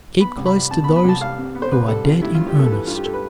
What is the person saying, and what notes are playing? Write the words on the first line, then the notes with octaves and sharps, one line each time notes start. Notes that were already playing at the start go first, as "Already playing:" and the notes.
Keep close to those who are dead-in-earnest.
B3 B5
C2
B5
G3
C3 A5
B5
B3
B5
C2 A5
G3 F5
C3
B3
C5
C2 B4
G3 A4
C3 F4
G2 E4
G2 F4
G4
B3 A4
A4
E3 B4
G2 F4
G4
A4
B4